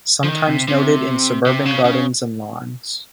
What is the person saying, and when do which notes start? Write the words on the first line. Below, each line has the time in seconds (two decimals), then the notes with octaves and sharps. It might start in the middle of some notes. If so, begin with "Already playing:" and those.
Sometimes noted in suburban gardens and lawns.
0.24 F3
0.29 D#3
0.48 C3
0.68 C3
1.46 C3
1.65 C#3
1.85 C#3